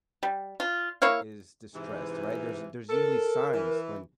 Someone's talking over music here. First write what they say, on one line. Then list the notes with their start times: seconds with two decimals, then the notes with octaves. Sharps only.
is distressed, right? There's there's usually signs when
0.23 G3
0.60 F4
1.02 A#3 E4 C#5 F5
1.75 G#2 C3 E3
2.89 A4 A#4
3.54 E3